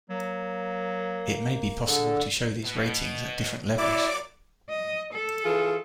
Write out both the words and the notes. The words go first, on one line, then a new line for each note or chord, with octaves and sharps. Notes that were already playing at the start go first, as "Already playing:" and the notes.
It may be possible to show these ratings at different levels.
F#3 A#3
D3 G#4 A4
B2
A#2 F#3 E4 D5 D6
D#5
A4
E3 F4 G#4